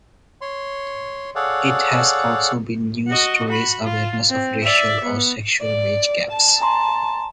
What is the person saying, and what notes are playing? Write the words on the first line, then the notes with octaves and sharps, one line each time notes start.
It has also been used to raise awareness of racial or sexual wage gaps.
C#5 C6
G#4 A4 C#5 D5 F5 F#5
F#4 D#5
F#4 B5
F4
C4
D5 E5
B3
D5
A5
G#5 A#5 C6